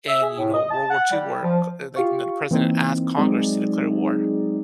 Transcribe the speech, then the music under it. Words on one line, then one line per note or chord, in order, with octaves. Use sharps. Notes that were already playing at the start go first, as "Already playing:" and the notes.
and, you know, World War II where c like, no the president asked Congress to declare war?
E5
G#4
A2
D#5
A5
F#5
G3
F3
F4 G4 F5 C#6
E3 A#3 C4 D#4
F#3 G#3 C4 D#4 G#4 D5